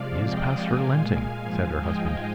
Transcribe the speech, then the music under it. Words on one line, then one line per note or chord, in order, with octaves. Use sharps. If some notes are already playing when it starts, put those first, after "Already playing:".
"He is past relenting," said her husband.
Already playing: C3 F3 G#3 D5 F5
D#5 G5
A#2 G#3 F5 G#5
F5 G#5
G#2 F3 G#3 F5 G#5
D#5 G5